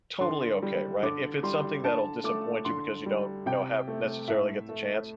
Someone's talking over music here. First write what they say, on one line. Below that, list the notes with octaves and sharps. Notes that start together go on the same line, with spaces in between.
totally okay, right? If it's something that'll disappoint you because you don't, you know, have necessarily get the chance,
D3 C6
G3
D3 D6
G3 C6
D3 A5
A3 D6
D3 C6
G3
C3 G5
A3
A2 E5
A3